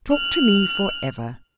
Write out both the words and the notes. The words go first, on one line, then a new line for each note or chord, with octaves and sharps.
Talk to me for ever.
F6 F#6